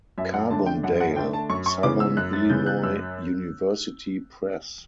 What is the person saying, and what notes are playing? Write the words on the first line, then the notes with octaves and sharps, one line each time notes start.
Carbondale: Southern Illinois University Press.
F#2 E5
F#5
D3 A3 D4 A5
G5
F#2 F#5
F#5
D3 A3 D4 G5
A5
F#2 C#6
C#6
C#3 E3 B3 D6
E6
F#2 F#6
A6
C#3 E3 B3 G6
F#6
F#2 E6